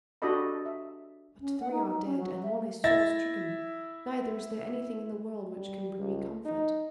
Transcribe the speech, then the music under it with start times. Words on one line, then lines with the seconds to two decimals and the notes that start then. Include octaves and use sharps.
But three are dead, and one is sore stricken; neither is there anything in the world which can bring me comfort.
0.22 D4 F#4 G4 A4 D#5 B5
0.66 E5
1.41 C#4
1.60 F#5
1.71 D#4
1.87 D#4
2.05 C#4
2.19 F#3
2.43 E5
2.84 E4 E5 A6 A#6
5.52 G3
5.98 C#2
6.45 D#4